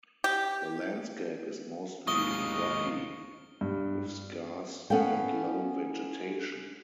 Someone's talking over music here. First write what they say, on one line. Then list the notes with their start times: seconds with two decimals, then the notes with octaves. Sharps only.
The landscape is mostly rocky, with scarce and low vegetation.
0.24 G4
2.07 D#2 G#3 D#5 F5 C#6 G7
3.61 G2
4.90 B3 C#4 A4 F5 G5